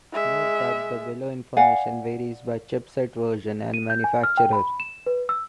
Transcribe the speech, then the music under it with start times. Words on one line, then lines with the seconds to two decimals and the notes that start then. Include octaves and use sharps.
Note that the below information varies by chipset version and manufacturer.
0.12 G#3 E5
1.57 D5 F5 F#5 G#5
3.74 D#7
3.90 G6
4.04 G#5
4.24 F6
4.37 G5
4.53 B5
4.80 E7
5.06 B4
5.29 E6